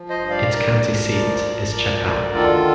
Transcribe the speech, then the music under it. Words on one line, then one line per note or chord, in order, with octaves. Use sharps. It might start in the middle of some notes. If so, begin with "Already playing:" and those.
Its county seat is Chappell.
Already playing: F3
C5 D#5
G2
D5 F5
G2 A#4 D5
F3
D2
F3
D2
D3
D#3 F4 A4